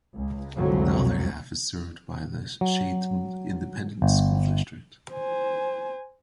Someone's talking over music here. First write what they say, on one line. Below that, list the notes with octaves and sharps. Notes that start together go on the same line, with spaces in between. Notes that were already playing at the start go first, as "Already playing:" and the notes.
The other half is served by the Sharyland Independent School District.
C#2
C2 F2 B2 D3 F#3 G#3
F#3
G1
C5 G#5